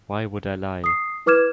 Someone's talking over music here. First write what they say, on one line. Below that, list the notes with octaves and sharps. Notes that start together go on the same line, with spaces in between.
Why Would I Lie?
D#6 C7
E4 B4 D6 F6 G#6 E7